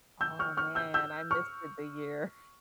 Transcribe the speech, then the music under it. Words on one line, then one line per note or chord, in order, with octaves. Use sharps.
Oh man, I missed it the year.
E6 G6
C#6 F6
C#6 F6
E6 G6
E6 G6
C#6 F6